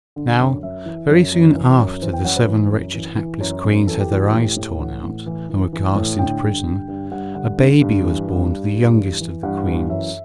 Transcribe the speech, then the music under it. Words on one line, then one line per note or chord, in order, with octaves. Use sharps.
Now, very soon after the seven wretched hapless Queens had their eyes torn out, and were cast into prison, a baby was born to the youngest of the Queens.
D3
F#2
F#2 E5
E3
F#2
F#2
E3
F#2
E3 C5
G5
F#2 F#5
B4
E3
F#2
E3
E3
F#2
F#2
E3 A4
G4
E3 F#4
G4
A2
A2
E3 F#5
A2
E3
E3
E3
A2
D3 G5
G2
D3
G2
G2 F#5
D3 F#5
D3
G2
E3
G2
G2
G2
E3
E3
G2 F#5
E3
F#2 E5